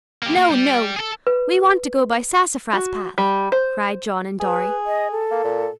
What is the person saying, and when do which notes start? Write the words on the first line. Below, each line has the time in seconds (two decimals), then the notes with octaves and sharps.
"No, no! We want to go by Sassafras Path!" cried John and Dorry.
0.23 A#3 G4
0.37 A#3
0.51 G3
0.97 G#4 A4
1.27 B4
2.73 F#4
3.18 G3
3.52 C5
4.40 G#4 B4
4.86 D#5
5.11 A4
5.31 A#3
5.44 A#2